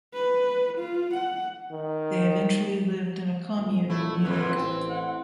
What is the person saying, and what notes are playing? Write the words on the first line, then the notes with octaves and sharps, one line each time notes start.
They eventually lived in a commune in Munich.
B4
F4
F#5
D#3
D#1
F#3 A3 E4
F2 G#2 E3 B4
A1 C4
E4 F#5